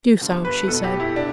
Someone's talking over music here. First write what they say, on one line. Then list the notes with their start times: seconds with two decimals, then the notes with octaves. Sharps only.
"Do so," she said.
0.21 G1 G2 D3
0.45 B4
0.68 B1 B2 A4
0.84 G4
1.00 E4
1.16 D4